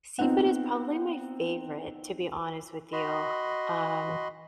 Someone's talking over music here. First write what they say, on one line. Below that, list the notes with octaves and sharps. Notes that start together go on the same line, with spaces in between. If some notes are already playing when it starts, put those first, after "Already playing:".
seafood is probably my favorite, to be honest with you, um
B3 C4 D#4 F4 F#5
F#4 D#5 B5 C6